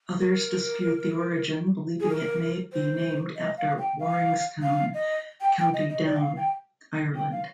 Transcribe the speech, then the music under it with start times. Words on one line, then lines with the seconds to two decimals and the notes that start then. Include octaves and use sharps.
Others dispute the origin, believing it may be named after Waringstown, County Down, Ireland.
0.20 A#4
2.00 G#4
2.09 A#4
2.73 C5
3.36 D#5
3.58 F5
3.78 G5
3.99 F5
4.62 F5
4.94 D#5
5.41 G5
5.57 G5
5.73 D#5
5.89 D#5
6.05 D5
6.17 G5
6.21 F5
6.37 G5
7.15 G5
7.31 F5